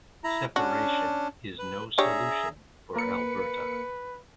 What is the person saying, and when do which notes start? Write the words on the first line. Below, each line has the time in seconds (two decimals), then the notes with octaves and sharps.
Separation is no solution for Alberta.
0.24 E4 A#5
0.56 C#4 D4 F#4
1.59 B4
1.98 D4 G4 G#4 C#5 E5 A#5
2.96 A#3 A#4 B4 C#7